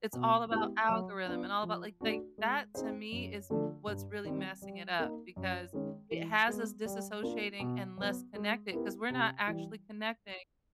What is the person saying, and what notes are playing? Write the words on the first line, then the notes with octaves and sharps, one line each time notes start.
It's all about algorithm and all about, like like, that to me is m what's really messing it up because it has us disassociating and less connected 'cause we're not actually connecting
B2
G#3 B3 E4 G4
F#3
B3 D4 F4
F3
A3 D4 F#4
G#3
C4 D#4 G#4 C5
F#2
D3 F3 A3 D4
G2
D#3 G3 C4
G3
A#3 D#4
F#2
D#3 G#3 C#4
E3
G#3 B3
G3
A#3 D4 F4
B2
F#3 B3
G#3
B3 E4 G4 A#4
C3
E3 G3